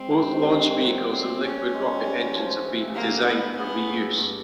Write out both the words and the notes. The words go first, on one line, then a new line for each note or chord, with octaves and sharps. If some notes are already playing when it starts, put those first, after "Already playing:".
Both launch vehicles and liquid rocket engines are being designed for reuse.
Already playing: G#2 C4
C3
D#3
E3
F#3
G3 C4
C#4
G#3
G3
G3
F#3
F#3
F3
E3
C3
C#3
D3 A#3
B3
C#3 B3
A2
G2